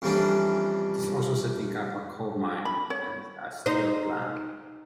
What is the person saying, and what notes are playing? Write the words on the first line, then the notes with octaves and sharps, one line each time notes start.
It is also setting up a coal mine and a steel plan.
F2 E3 G3 A#3 C#4 D4
B5
C#5
D#4 C5